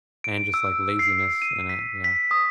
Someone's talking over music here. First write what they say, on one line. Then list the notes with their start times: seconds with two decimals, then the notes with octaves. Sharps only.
and just like laziness in it, yeah.
0.24 D7
0.54 E6
0.99 C7
1.42 D#7
1.69 B6
2.04 B6
2.31 D#6